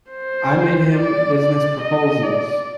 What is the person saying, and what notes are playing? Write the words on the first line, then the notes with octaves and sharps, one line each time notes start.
I made him business proposals.
C5
D5
D5
D#5
D5